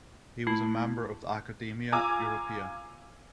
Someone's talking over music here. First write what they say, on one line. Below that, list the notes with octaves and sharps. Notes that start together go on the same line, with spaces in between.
He was a member of the Academia Europaea.
A3 E4
F4 G#5 A#5 D6 E6